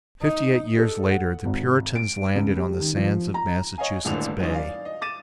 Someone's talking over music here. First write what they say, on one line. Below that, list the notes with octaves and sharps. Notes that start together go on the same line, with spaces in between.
Fifty-eight years later the Puritans landed on the sands of Massachusetts Bay.
D#4
A4
F#5
G#1
D7
C#2
G3
D#3
F3
A#5
C#5 D#5 F5 G#5
D#1 G#1 A2 D3 D4 F7
F#2 E3 C#4 D#4
D5 F5
D#5
D6 A6 D#7 E7